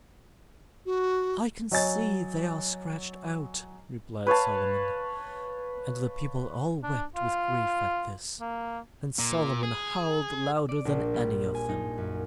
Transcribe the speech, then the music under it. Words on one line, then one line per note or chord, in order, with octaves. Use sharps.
"I can see they are scratched out!" replied Solomon; and the people all wept with grief at this, and Solomon howled louder than any of them.
F#4
F#3 D#5 G#5 A6
B4 C#5 F5 A5
D4
F4
A#3
A#2
G#4
D5
A#1
G3
G#5
D#4
F#2